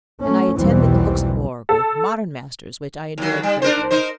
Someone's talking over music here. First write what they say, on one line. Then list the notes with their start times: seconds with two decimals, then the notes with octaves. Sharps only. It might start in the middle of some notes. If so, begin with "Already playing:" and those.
And I attended the Luxembourg, with modern masters, which I enjoyed greatly.
0.22 A3 C#4
0.56 B1 E2 D#3 E3 G3 C4
1.69 A4
3.18 D#2 F#3
3.43 G3
3.62 D4 A#4 C5
3.91 D#4 A#4 C5